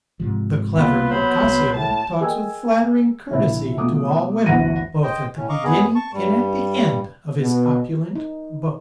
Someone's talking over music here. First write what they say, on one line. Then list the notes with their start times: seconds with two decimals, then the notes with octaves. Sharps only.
The clever Boccaccio talks with flattering courtesy to all women, both at the beginning and at the end of his opulent book.
0.20 G#2 C3 F3
0.77 C2 C3 A#3 B3 F4 B4
1.10 F#3 C5 B5
1.43 C2
1.74 A2 A5
2.20 G#4 A#4 D#5 G5 G#5 E6
3.31 A#1 C#3 E4 E5
3.77 B2 F3 A3 D6 D#6
4.46 G1 D2 E3 F#5 A#6 D#7
5.03 C5 D#5 G5
5.37 A2 C#4
5.49 D#5 F5 A#5 C#6 D6
5.63 F#2 B3 G#4
5.95 A5 C#6
6.13 G2 G3
7.39 B2
8.15 D#4